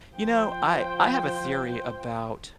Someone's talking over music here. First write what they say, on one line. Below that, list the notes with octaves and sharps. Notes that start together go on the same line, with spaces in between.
you know, I I have a theory about
F3 C5 G5